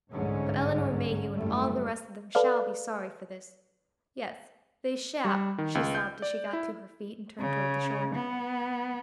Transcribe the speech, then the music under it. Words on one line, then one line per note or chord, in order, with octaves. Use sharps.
"But Elinor Mayhew and all the rest of them shall be sorry for this. Yes, they shall," she sobbed as she got to her feet and turned toward the shore.
G1 C2 G#2 D3 C#4
F#1 G3 A3
A4 B4 D5 F5
G3
D#3
C#2
G6
D5
E4
C#3
B3